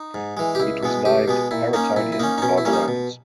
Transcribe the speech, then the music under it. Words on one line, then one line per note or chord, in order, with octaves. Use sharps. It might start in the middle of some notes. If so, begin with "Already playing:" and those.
It was named Paraetonium by the Romans.
Already playing: D#4
G#2
E3 G#3
G4
C#2 E4
B2 G#3 B3
C#2 G4
B2 G#3 B3
A#2 E4
A#3 C#4 D#4
A#2 E4
E4
A#3 C#4 D#4
D#4
B2 C#4
E4
G3 A#3 C#4
D#4
B2